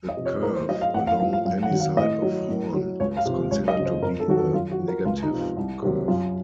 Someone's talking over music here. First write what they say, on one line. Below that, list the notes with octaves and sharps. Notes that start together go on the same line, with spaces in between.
The curve along any side of horn is considered to be a negative curve.
D#5
C3 F3
C#5
A2 A#4
C5
F#3 D#5
F5
A2 F#5
F5
F3 F5
F5
F#2 F5
F#5
D#3 F#3
F5
A2 D#5
F#3
A2
F#3
C#2 C#5
F5
C3 F3
C#2 C#5
D#5
C#3 F#3
C5
F2 A#4
A4
D#3 F#3 F#4
A4
F#2 F4
F#4
F3
A#4
C#2 F4
D#4
C3 F3
F4
C2
C3 F#3
F#2 F4